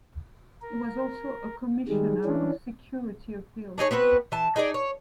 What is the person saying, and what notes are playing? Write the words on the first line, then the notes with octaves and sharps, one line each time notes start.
He was also a Commissioner of Security Appeals.
A#4
D#3 G3 G#3 G#4
E3 C#4 D4
D4 D#4 G#4 C#5
B3 C4 F#4 B4
E3 A5
D#4 G#4 B4 D5
C#5